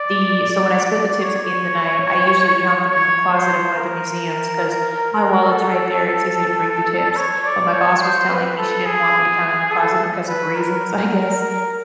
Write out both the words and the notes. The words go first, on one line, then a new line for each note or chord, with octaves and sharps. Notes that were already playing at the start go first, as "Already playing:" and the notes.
the so when I split the tips at the end of the night, I usually count them in the closet of one of the museums 'cause my wallet's right there; it's easy to break the tips. But my boss was telling me she didn't want me to count in the closet because of reasons, I guess,
Already playing: D5
C#5
C#5
C5
A#4
A4
C#5
D5
C#5
C5
B4
A4
G#4
A4
B4
A#4
A#4